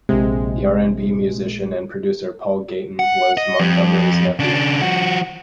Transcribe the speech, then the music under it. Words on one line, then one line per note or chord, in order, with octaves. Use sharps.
The R and B musician and producer Paul Gayten was Montgomery's nephew.
A#1 C3 G#3
F#5
D#5
F2
C#3 D4
F3 F#4